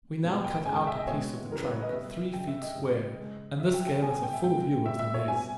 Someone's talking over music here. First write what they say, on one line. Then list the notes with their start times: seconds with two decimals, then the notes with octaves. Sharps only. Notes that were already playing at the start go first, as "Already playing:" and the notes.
We now cut out a piece of the trunk, three feet square, and this gave us a full view of the nest.
0.24 B2 G#3
0.44 G5
0.66 C#3 G#3 G#5
0.76 G5
0.87 E5
0.97 D#5
1.07 B2 G#3 C#5
1.49 C#3 E3 G3 A#4
1.62 B4
1.71 C#5
1.82 D#5
1.91 B2 G3 E5
2.33 C#3 G3 G5
2.48 E5
2.62 D#5
2.75 C#3 G3
3.18 C#3 G#3
3.60 C#3 G3 E5
3.74 G5
3.87 G5
4.02 B2 G3 G#5
4.12 G#5
4.23 G5
4.33 E5
4.43 A#2 G#3 G5
4.85 A#2 G3 E5
4.99 E5
5.14 C#5
5.28 B2 G3 G#5